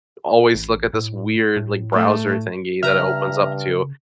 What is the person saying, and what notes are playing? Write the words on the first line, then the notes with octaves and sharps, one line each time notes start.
always look at this weird, like, browser thingy that it opens up to,"
A1
A2
A2
A3
G2 C#3 E5 A#5 F6